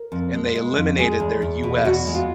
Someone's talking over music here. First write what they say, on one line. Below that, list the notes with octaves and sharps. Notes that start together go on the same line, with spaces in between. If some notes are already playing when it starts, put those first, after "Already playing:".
and they eliminated their US
Already playing: A#4
F2
G#3
G#3
F2
G#3 G#4
E2
E2
B2
E2 F#4
G#3
F4